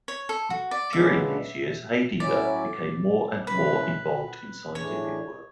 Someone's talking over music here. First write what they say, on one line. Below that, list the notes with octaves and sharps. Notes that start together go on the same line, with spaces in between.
During these years Haidinger became more and more involved in scientific work.
C#5
A4
F#4
D5
C#3 G#3 B3 D4 E5
A2 F#3 C#4 E4 D5
C#3 E3 G#3 B4
A2 E3 G#3 D4 C#5